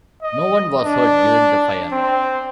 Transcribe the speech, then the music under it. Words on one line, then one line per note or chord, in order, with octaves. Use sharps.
No one was hurt during the fire.
D#5
D4
C4